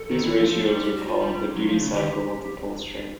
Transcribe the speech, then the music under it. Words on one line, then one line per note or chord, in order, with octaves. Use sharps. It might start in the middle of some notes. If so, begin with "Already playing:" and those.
These ratios are called the "duty cycle" of the pulse train.
Already playing: A4
D#3
E3
F3
F3
G3
G4
F#4
F4
G3
F#3
F3
C#3
D3 G4
D#3